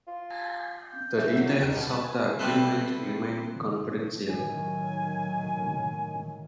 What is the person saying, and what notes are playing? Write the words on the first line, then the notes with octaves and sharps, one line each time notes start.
The details of the agreement remain confidential.
F4
E3
F#3 E5
E2 D#3 C#7 D7
B2 G3
B4 A5
G#5
G3 C4 E4 A4 B4 C5
A2 D#3 F#3 G#5